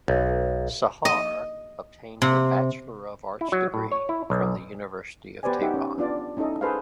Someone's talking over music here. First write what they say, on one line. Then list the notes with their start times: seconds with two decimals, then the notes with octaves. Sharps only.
Sahar obtained her Bachelor of Arts degree from the University of Tehran.
0.08 B1
1.05 D#5
2.22 C3
3.41 E4
3.52 F#3
3.74 A2
3.92 C#5
4.09 E4
4.30 B1
5.43 B3 G4 B4 C5 D5 G#5
5.61 D#4 G4 E5 F#5
5.74 C#4
5.98 B3 D4 F4 D5
6.37 C#4 D#4 E4 A4 D#5
6.61 G#4 A4 B4 C5 D#5 F5